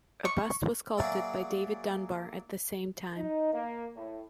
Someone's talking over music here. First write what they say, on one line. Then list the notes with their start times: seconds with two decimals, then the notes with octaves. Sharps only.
A bust was sculpted by David Dunbar at the same time.
0.25 C#6
0.97 F#3 A#3 G#4 C#5 D5 E5
3.17 D#4
3.53 A#3
3.96 A2